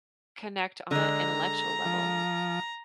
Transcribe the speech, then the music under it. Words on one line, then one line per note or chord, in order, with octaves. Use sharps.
connect on a intellectual level.
D3 G#3 A#5
F3